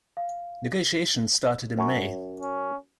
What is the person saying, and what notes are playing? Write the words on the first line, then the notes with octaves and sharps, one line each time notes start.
Negotiations started in May.
F5
F#2 C#5
C#4